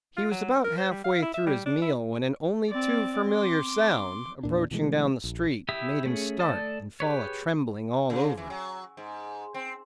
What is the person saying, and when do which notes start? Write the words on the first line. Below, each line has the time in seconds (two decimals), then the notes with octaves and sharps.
He was about half-way through his meal when an only too familiar sound, approaching down the street, made him start and fall a-trembling all over.
0.17 F4
0.31 F#3
0.64 A#4
0.78 C5
0.91 G3
1.04 F5
1.22 E4
1.34 E5
1.47 G3
1.66 D4
1.82 E4
2.70 C4 D5
3.30 C6 D6
4.43 E2 A#2 D4
4.71 B2 E3 G#3 A3
5.24 A#1
5.69 E4 G4 E5 D#6
6.06 A3 C#4 G#4
6.39 A3 A4 D5 A5 D#6
7.00 G4 G#4 B4 C#5
8.10 C#3
8.37 E3
8.50 F#3
8.97 G#2
9.54 C4